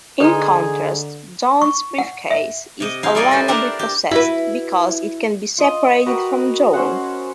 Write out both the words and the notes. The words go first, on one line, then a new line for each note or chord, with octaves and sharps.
In contrast, 'John's briefcase' is alienably possessed, because it can be separated from John.
D3 G#3 D#4 G#4 A4 B4
C#6
F#5
E5
C3 D#5
D#4 E4 F5
G3 E4 G#4 A#4 D5 D#5
A4 B4 C5
D4 G4 A#4 F#5 A5 A#5
G4
E4 F#4 B4
F4 D#5
F#4 A#4 B4 G5
C#4 C5 F#5